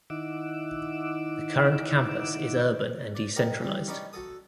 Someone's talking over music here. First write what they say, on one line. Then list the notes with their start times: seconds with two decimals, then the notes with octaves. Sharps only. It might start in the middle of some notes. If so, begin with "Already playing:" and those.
The current campus is urban and decentralized.
0.10 D#3 D#4 E4 F#5 D6 E6
3.15 D5
3.36 G4 A#4 D#5 F#5 G#5
3.61 E3 G3
3.87 C#4 D#4 B4 D5 G5
4.13 F#4 A4 D#6